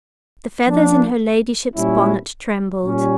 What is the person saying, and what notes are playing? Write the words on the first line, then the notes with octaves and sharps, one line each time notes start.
The feathers in her ladyship's bonnet trembled.
F3 A#3 D4
A#2 G3 C#4 E4
A#2 G3 C#4